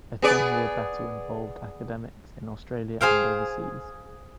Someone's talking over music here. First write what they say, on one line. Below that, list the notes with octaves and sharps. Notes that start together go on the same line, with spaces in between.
A ten-year battle involved academics in Australia and overseas.
B3 G#4 D5
G#4 C5 F5 G5